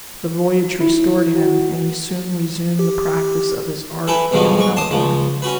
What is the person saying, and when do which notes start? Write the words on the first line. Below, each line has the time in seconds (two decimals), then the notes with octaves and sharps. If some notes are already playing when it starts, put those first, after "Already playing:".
The voyage restored him, and he soon resumed the practice of his art at Melbourne.
0.81 E4
1.35 F#4
2.79 G4
4.07 E3 E4 A4 B4
4.31 B1 E2 G2 B2 D3 F3
4.58 G#2 C#6
4.77 A5 C6 D6 D#6
4.91 C#2 F3
5.42 C#4 F#4 B4